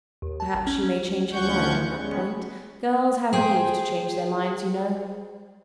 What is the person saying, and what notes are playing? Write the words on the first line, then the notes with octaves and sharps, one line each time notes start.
Perhaps she may change her mind on that point; girls have leave to change their minds, you know.
D#2
A5
A1
C#4
C#4
D2 F3 C#4 F#5 C#6 G6
G3 G#3 B3 C#4
G#4 C5 G5